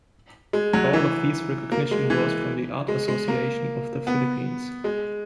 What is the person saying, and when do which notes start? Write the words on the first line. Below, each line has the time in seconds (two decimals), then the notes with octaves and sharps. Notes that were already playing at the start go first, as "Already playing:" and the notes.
All of these recognition was from the Art Association of the Philippines.
0.53 G#3
0.73 F#3
0.93 E3
1.72 A#3
1.91 G#3
2.10 E3
2.88 G#3
3.08 G#3
3.28 A#3
4.07 B3
4.84 G#3